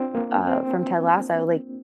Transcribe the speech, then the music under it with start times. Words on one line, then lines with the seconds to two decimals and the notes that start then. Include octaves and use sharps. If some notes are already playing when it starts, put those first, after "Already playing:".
uh, from Ted Lasso, like,
Already playing: C4 D4 F4
0.15 A#3
0.48 C4